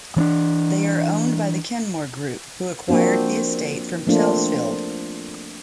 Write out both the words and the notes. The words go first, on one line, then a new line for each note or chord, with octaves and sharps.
They are owned by the Kenmore Group, who acquired the estate from Chelsfield.
E3 C4 D4
F3 A#3 C4 D4 F#4
F3 A3 A#3 C4 D4 F4